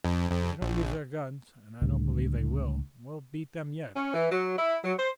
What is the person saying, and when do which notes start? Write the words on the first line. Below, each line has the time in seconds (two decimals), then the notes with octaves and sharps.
"If they don't use their guns--and I don't believe they will--we'll beat them yet."
0.05 F2
0.30 F2
0.61 A#1
1.82 C#2 A2 D3 G3
3.96 C#4
4.14 E3
4.32 F#3
4.59 E4
4.84 F#3
4.99 C5